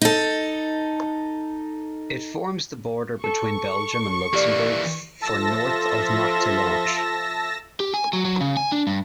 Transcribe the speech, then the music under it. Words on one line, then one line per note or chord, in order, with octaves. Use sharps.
It forms the border between Belgium and Luxembourg for north of Martelange.
D#4 A4
A4 C#6
E3 A#3 G4 D5
F3 A4 E5 A5 E6 A#6
G4
G#5
F#3
F#3
C#3
G#5
D4
G2